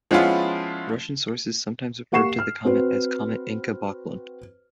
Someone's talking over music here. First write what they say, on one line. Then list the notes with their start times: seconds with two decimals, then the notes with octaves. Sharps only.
Russian sources sometimes referred to the comet as Comet Encke-Backlund.
0.11 F3 G#3 B3 C#4 E4 F4
2.12 A#3 G4 F#5 C#6 C7 E7
2.39 F6
2.65 C4 F#4 B4 C5